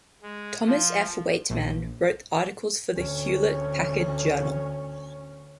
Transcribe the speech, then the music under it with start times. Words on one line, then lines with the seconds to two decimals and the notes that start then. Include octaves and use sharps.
Thomas F. Waitman wrote articles for the "Hewlett-Packard Journal".
0.23 G#3
0.66 F3
1.50 A#1
2.97 D2 C#4